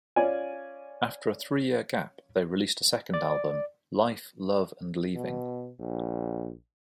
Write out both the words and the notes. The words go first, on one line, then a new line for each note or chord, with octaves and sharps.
After a three-year gap, they released a second album, "Life, Love and Leaving".
C#4 F4 D5 G#5
D5
B2
A#1